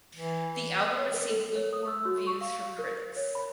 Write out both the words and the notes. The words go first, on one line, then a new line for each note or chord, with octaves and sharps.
The album received lukewarm reviews from critics.
E3
C#5
A#4
A4
C#5
D#6
E6
F#4
C#6
F5
A#4
C#5
B5